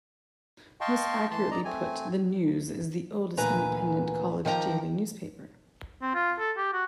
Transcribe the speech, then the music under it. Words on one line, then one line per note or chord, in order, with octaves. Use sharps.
Most accurately put, the "News" is the oldest independent college daily newspaper.
D#5 F5 G5 A5 C6 C#6
E3 A5 C6
D5 D#5 A#5
A3 C4 G#5
D2 A#2 E3 B4 G#5 A#5
D#3 F3 G4 F5 A#5
C4
F4
A4
G4
F#4